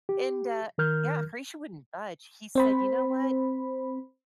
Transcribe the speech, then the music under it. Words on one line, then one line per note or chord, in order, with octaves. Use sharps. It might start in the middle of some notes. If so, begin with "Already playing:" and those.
And, uh Yeah, Horatio wouldn't budge. He said, "You know what?
G4
D#3 A#4 F6 G6
C4 C5 B5